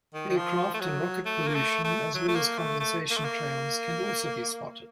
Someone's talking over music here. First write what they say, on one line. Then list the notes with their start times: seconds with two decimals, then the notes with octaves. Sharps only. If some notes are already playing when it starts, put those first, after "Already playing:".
Aircraft and rocket pollution, as well as condensation trails, can also be spotted.
0.14 D#3
0.29 D#3
0.37 F3
0.74 A3
0.80 F#3
1.25 A3
1.47 A#3
1.55 A3
1.84 A3
2.14 F#3
2.28 A3
2.35 A#3
2.58 A3
2.80 A3
3.10 A#3
3.17 A3
3.24 A#3